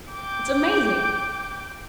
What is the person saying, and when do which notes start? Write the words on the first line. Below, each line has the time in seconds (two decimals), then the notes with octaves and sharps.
It's amazing!
0.11 G5 D6 G6